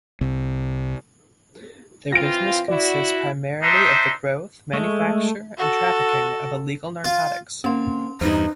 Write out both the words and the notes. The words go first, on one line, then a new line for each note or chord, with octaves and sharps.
Their business consists primarily of the growth, manufacture, and trafficking of illegal narcotics.
C2 C3
E3 C4 F4 A#6 D7
E4 F#4 D5
D4 D#4 C5 D#5 E5
G#3 A3
F#4 A4
F4
D3 A#3 C4 C#4 C6
E2 G2 D#4 E4 B4 C5 D#5